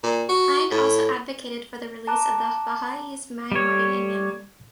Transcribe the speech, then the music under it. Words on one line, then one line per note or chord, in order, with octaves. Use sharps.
Hind also advocated for the release of the Baha’is minority in Yemen.
A#2
F#4
A2
A5 A#5 D6 F#6
G3 C#5